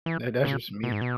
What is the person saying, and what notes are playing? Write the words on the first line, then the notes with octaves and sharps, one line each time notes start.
Tha that's just me.
E3
C#3
B2
G#2
B2